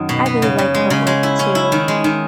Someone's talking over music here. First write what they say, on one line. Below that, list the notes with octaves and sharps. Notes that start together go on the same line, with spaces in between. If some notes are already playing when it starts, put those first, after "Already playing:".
I really like her work too.
Already playing: F#2 D#3
B2
B3
C#3
C#3
G#3
C#3
G#3
E4
C#4
E4
D#3
G#3
D#3